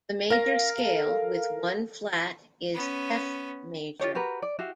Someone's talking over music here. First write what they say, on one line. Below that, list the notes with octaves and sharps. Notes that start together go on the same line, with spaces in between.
The major scale with one flat is F major.
C#4 A#4 F5 A#6
A4
B3 C#4
F4 G4 C#5 G5
F#4 G4 A#4 B4
D5
F#4 G4 E5 F5